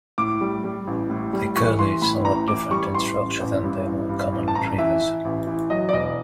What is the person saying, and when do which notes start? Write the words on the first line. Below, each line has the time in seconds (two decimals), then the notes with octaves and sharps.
The Curly is somewhat different in structure than the more common retrievers.
0.18 A2 D6
0.41 G3
0.64 G3
0.87 A1
1.10 A2
1.33 G3
1.56 E3 C#6
1.79 E3 C6
2.02 A2 B5
2.25 A1 A#5
2.48 E3 D6
2.71 G3 C#6
2.94 A1 C6
3.17 A1
3.40 A1
3.63 G2
3.86 A1
4.09 G2
4.32 A1
4.48 A5
4.55 A1 A#5
4.78 E3 E5
5.01 E3
5.25 A1
5.47 E3
5.70 F#3 D#5
5.89 D5
5.93 E1 D#5